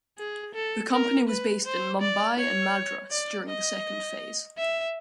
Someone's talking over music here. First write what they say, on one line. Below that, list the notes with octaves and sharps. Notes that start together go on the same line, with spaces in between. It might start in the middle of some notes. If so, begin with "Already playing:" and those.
The company was based in Mumbai and Madras during the second phase.
G#4
A4
A#4
B4
C5
D5
C#5
D5
D#5
E5